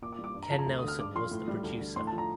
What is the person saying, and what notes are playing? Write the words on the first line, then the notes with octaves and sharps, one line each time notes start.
Ken Nelson was the producer.
A#2 D6
D6
G3
D6
G2
A#5
F3 A5
A#5
D2
D#6
D3 F6
G2 D6
F3 C6
A2
G3
D2
D3
A2 C6
A5
F3
A#5